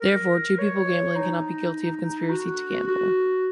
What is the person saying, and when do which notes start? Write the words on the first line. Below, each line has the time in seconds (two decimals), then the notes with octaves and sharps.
Therefore, two people gambling cannot be guilty of conspiracy to gamble.
0.01 A#4
0.59 C#5
1.16 D#4
2.30 F#4
2.88 F#4